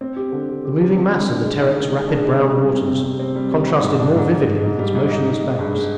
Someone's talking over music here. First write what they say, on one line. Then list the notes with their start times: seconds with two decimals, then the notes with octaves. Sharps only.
The moving mass of the Terek's rapid brown waters contrasted more vividly with its motionless banks.
0.01 C4
0.16 G4
0.32 D3
0.48 G4
0.65 G4
0.81 G4
0.97 C4
1.13 D3
1.28 D4
1.45 G#3
1.60 D#3
1.76 G#3
1.92 G#3
2.08 D4
2.24 G#3
2.40 C3
2.56 G3
2.72 C3
2.88 C4
3.04 C3
3.19 C4
3.36 G3
3.52 G3
3.68 G3
3.83 G#2
4.00 D4
4.15 G#2
4.31 G#2
4.47 G#2
4.63 G#2
4.79 G3
4.95 G#2
5.12 D#4
5.27 D#4
5.43 G#3
5.59 G2
5.75 G#3